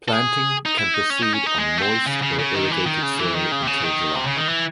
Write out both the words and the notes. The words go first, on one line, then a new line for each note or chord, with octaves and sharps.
Planting can proceed on moist or irrigated soil until July.
A4
G#4
D#4
E4
D#4
C#4
D#4
C#4
D#4
G#3
A3
C4
C#3
C#3
C#3
D#3
E3
D#3
C#3
E3
D#3
C#3
C3
C#3
D#3
C3
C#3
D#3
E3